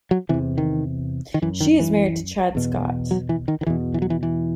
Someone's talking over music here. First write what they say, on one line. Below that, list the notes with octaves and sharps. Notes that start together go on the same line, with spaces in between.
She is married to Chad Scott.
F#3
E2 C3 E3
D#3
D#3
F#2 E3
D#3
E3
E2 B2
F#3
E3
D#3
D#3
E2 B2 E3
E3
F#3
E3
E3